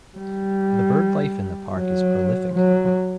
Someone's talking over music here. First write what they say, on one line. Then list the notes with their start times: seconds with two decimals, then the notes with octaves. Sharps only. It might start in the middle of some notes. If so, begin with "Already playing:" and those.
The birdlife in the park is prolific.
0.17 G3
1.75 F#3
2.54 F#3